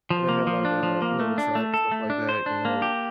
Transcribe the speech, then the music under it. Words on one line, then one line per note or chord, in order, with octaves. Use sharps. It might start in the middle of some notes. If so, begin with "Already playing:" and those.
and it had, like, a, you know, a track, stuff like that, you know,
F3
A#3
F3
D4
F3
A#3
A3
D4
A3
A4
A3
D4
C5
D4
A#3
G4